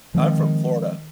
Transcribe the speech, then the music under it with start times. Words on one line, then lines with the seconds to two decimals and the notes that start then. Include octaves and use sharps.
I'm from Florida.
0.15 D#3 F3 G#3 C4